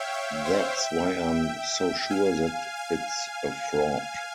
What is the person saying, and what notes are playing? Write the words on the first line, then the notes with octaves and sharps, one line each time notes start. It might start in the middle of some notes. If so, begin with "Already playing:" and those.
That's why I'm so sure that it's a fraud.
Already playing: C#5 E5 F5 G5
E5 G5
C5 E5
E5 G5
F5 G#5
F5 G#5